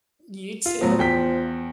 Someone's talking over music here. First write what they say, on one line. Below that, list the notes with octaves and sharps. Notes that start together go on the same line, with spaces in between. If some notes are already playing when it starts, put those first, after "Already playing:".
You too.
F4
A2 F3 F#3 B3
E2 G5 B6